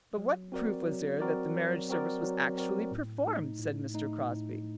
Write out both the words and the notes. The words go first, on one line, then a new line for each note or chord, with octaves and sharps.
"But what proof was there that the marriage service was actually performed?" said Mr. Crosby.
F#3
C4 F#4 A#4 D5
F#3
C4 F#4 A#4 D5
F#3
C4 F#4 A#4 D5
F#3
C4 F#4 A#4 D5
A2
A3 D#4
A2
A3 D#4
A2